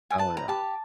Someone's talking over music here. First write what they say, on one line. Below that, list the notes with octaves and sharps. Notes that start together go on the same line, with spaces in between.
Oh, yeah.
G#5
B4 A5
A#5
G4 A5